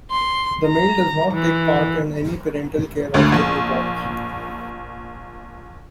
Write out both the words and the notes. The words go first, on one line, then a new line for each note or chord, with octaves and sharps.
The male does not take part in any parental care of the newborns.
C6
A#5
E3
G#1 D2 D3
A#1